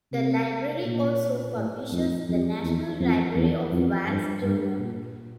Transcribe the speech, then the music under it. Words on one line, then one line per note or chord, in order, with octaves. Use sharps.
The Library also publishes the "National Library of Wales Journal".
C3
A#2
A2
F2
F2
E2
F2
E2
F2
G2
G2
A#2